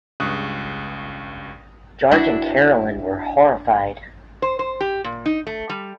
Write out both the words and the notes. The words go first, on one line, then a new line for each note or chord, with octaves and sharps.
George and Caroline were horrified.
C#2 G2 C#6 D#6 F#6
D4 E4 F#4
C5
C5
G4
A#2
D#4
A3
G3